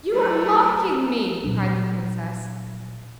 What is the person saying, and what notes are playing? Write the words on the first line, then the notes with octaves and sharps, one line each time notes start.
"You are mocking me!" cried the princess.
F#3 A3 D#4 E4 A4 D5
A#2 F#3 D4